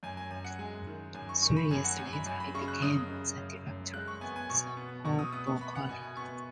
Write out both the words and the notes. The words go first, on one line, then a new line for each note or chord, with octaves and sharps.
Three years later, he became the director of the Hobo College.
F#2 G#5
G#5
F#2 G#5
F#5
G#3 G#5
D#3
F#2 G#5
C#6
D#3 C#6
B5
F#2 G#5
F#5
F#2 G#5
B5
F#2 G#5
B5
C#3 C#6
F#6
F#2 D#6
C#3
F#2
F#2
G#3 F#6
C#6
B3 G#5
G#5
B2 C#6
B3
B2 C#6
D#6
B3 D#6
C#6
B3 B5
F#5
B2 G#5
G#5
B3 C#6